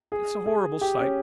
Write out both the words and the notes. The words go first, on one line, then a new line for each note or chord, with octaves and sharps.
It's a horrible sight.
G#4
G#4
G4
C#4